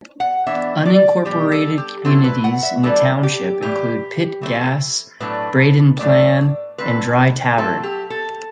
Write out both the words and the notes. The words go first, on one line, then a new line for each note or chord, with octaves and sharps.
Unincorporated communities in the township include Pitt Gas, Braden Plan, and Dry Tavern.
F#5
E3 B3 D4 E5
D5
B2 G3 D4 G4
A4
G4
F#3 C4 E4 A4
B4
F#5
E5
E3 G3 B3 D4 A4
G4
A2 E3 G3 G4
E3 A3 C4
A2 F#3 A3 D4 B4
A2 F#3 A3 D5
D3 A3 C4 B4
F#3 A3 C4 E4 A4
G4
A4